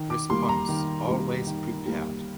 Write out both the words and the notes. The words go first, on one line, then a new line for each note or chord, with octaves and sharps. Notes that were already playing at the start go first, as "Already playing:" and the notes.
Response - Always prepared!
Already playing: D#3
D6
G3 A#3 C6
A#5
D#3
G3 A#3
D#3
G3 A#3